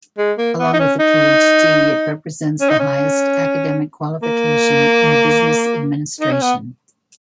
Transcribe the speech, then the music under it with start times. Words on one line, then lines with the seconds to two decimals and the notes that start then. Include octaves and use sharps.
Along with the Ph.D, it represents the highest academic qualification in business administration.
0.18 G#3
0.38 A#3
0.59 B3
0.74 D#4
0.80 C#4
1.00 D#4
2.61 C#4
2.70 D#4
2.79 C#4
4.23 A#3
6.21 D#4
6.31 C#4
6.42 B3